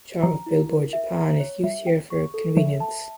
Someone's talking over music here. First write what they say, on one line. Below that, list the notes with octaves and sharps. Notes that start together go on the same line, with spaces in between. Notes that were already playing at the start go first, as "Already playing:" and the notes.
Chart of Billboard Japan is used here for convenience.
F3 A#5
E4
A#4
E5
A#5
C#5
G3 E5
G5
C#6
A4
F3 E5
A5